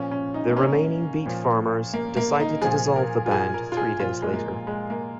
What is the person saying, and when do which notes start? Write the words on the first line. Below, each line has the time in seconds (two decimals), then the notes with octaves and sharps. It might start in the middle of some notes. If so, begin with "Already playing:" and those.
The remaining Beat Farmers decided to dissolve the band three days later.
Already playing: A#2 F3 C#4
0.11 C#4
0.34 D#4
0.50 A#3
0.57 C#4
1.26 A#2 F3
1.93 A#3
2.17 A#3
2.40 D#4
2.62 A#2 F3 G#4
2.96 A#4
3.26 F4
3.31 G#4
3.54 A#4
3.72 F4
3.77 G#4
4.00 A#2 F3 F4
4.22 G#3
4.33 A#3
4.67 G#3
4.90 A#3